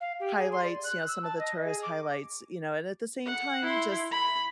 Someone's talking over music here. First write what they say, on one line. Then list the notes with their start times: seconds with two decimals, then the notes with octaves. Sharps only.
highlights, you know, some of the tourist highlights, you know, and at the same time, just
0.01 F5
0.20 G4
0.36 G#4
0.52 C6
0.64 D5
0.84 F#6
1.07 E6
1.23 A5
1.39 D#5
1.64 G#4
1.83 D6
3.26 F#5
3.62 E4 C6
4.11 B5